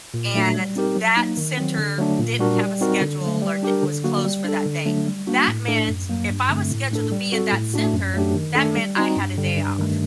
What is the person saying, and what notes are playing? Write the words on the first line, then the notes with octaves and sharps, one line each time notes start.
and that center didn't have a schedule or d was closed for that day, that meant- if I was scheduled to be at that center- that meant I had a day off.
A#2
F#3 A3 D4 F#4
G3
C4 D#4 G4 A#4
F#3
A#3 D#4
D#3
F#3 C4
D3
F#3 A3 D4
A#2
G3 D4 F#4 A#4
G3
C4 D#4 F#4 A#4
D3
F#3
A3
G3
D4 G4 A#4
D3
F#3 A#3 F#4
G3
D4 A4
D3
F#3 A3 D4
G3
A#3 D4 F#4
A2
A3 D4 A4
F#2
F#3 A#3
G2
D3 A3 C4
A2
A3 D4 A4
G3
C4 F#4 A4
A2
A3 D4 F#4
F#2
F#3 A3 D4 G4
D#3
A3 D4 A4
G3
C4 D#4 F#4
G2
D3 G3
G2
D#3 A3